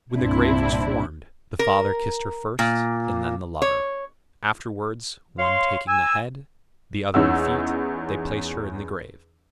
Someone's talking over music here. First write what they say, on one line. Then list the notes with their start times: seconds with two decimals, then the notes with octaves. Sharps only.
When the grave was formed, the father kissed her first, and then the lover; afterwards, one taking the head, the other the feet, they placed her in the grave.
0.14 C2 G2 A#2 C4 D4 E4
1.59 A#4
2.59 A#2
3.62 C#5
5.39 C#5 F5 C6
5.87 G#5 E6
7.14 E2 E3 C#4 D#4 F#5 E6